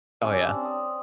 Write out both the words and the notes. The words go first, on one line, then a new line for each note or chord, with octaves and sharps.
Oh, yeah.
G3 C#4 D6 E6
C4 D4
D#6